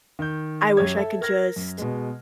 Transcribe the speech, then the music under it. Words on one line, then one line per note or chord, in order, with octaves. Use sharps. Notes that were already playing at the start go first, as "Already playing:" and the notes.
I wish I could just,
D#3 G6
F#2 G4 C#5 G#6
A4 E5
A#4 F6 G#6 A#6
F#2
B2 G#3